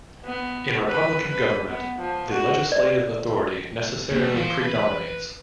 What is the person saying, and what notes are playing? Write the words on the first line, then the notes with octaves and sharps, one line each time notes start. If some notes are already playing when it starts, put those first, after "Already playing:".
In republican government, the legislative authority necessarily predominates.
B3
B4
B4
B3
F3
F#4
D5
G3 A3 A#3 D4
E3 C5 F5
B4